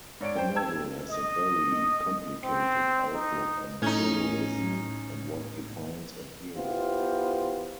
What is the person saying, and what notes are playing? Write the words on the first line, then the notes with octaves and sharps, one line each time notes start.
The novel has a very complicated outlook on heroism and what defines a hero.
G#2 C#5 D5 D7
C5 G5
G5 A5 E6 G#6
D#5
C4
D#4
A2 C#4 D#4 G#6
B3 E4 F4 G4 C5